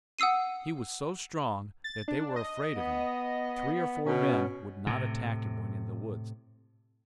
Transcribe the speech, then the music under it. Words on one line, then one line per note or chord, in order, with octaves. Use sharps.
He was so strong that they were afraid of him; three or four men would not attack him when in the woods.
F#5 D#6 E6 C7 D#7
A6
D4
D#5
B3
B2 C#4
A2 C3